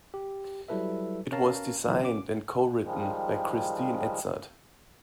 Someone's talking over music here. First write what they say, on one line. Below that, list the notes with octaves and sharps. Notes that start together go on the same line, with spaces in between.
It was designed and co-written by Christine Edzard.
G4
F#3 G3 E4 A4 B4 E5
C#4 A#4 C#5 F5 A5 A#5
A1 A#2 D3 E3 F#3
C#4 D6
D#3 F3 G3 G#3